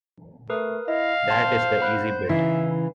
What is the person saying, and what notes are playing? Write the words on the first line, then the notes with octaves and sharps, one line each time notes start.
That is the easy bit.
A3 A#4 B4 D#6
E4 D#5 F5
C5 A5 C6
F#5 B5 F#6
C#3 E3 D#4 E4 C7